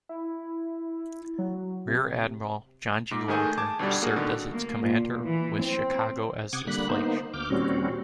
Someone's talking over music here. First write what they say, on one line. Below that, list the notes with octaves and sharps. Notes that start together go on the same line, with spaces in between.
Rear Admiral John G. Walker served as its Commander with "Chicago" as his flagship.
E4
F#3
C3
G#2 D6
D#2 D#3 A3 G#4 G#5 G6
A5 D6 G#6
G1 B2 D3 G3
A#3 F#4 G#4
B2 D3 D#3
A#3
A#2
E3
C4
C3 F#5 D6 D#6 G#6
D3 G3 A#3 B5 F#6
A#3 B3 D#4 C5
D2 D6 F6 G6
D#2 A#2 G3 C4 C#4 F#4